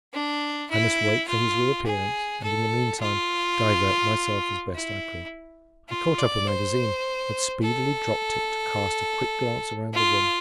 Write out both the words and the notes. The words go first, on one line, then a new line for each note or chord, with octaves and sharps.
I must wait for his reappearance, and in the meantime divert myself as best I could. I caught up a magazine, but speedily dropped it to cast a quick glance around the room.
D4
E4
F4
G#4
A4
F4
E4
F4
D5
C5
A4
F4